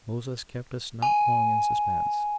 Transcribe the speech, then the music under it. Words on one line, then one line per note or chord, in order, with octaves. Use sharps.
Moses kept us not long in suspense.
G#5